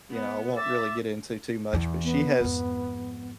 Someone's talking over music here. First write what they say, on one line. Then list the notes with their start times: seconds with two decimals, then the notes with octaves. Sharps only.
you know, I won't really get into too much, but, she has
0.11 B3
0.57 E5 D6 A6
1.73 E2 E3
2.04 B3
2.40 F2 G#2